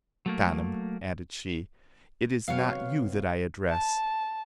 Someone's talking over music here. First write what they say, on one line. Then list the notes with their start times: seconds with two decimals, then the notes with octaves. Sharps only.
Ganem," added she, "it is not you that I address!
0.26 F#3 A3 A#3
2.48 C3 F#3 B3 C#5 F5
3.70 A5